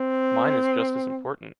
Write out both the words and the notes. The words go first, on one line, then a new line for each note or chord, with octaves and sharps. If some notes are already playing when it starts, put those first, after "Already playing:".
Mine is just as important.
Already playing: C4